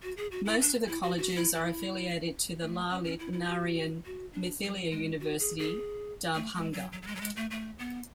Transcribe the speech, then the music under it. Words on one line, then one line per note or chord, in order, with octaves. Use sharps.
Most of the colleges are affiliated to the Lalit Narayan Mithila University, Darbhanga.
F#4
G#4
F#4
E4
D4
E4
F#4
F#4
E4
E4
A3
C#4
C#4
E4
E4
F#4
F#4
D4
F#3
G#3
F#4
G#4
G#4
A3
G#3
F#3
F#3
F#3
G#3
F#3
G#3
A3
A3
B3